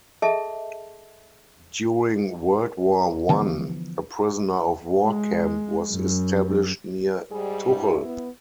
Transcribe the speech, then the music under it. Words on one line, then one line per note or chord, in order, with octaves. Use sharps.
During World War One, a prisoner-of-war camp was established near Tuchel.
G#4 A4 D#5 E5 A5
D3 E3 F3 B3
G#3
F#2
G#2 G3 G#4
G2 E4
B3